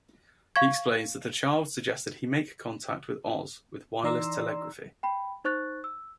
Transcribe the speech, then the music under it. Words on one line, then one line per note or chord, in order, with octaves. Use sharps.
He explains that a child suggested he make contact with Oz with wireless telegraphy.
F5 C#6 G#6
E3 D#4 D5 A#5 C6 E6
G5 B5
D#4 C5 C#6 F#6 A6
E6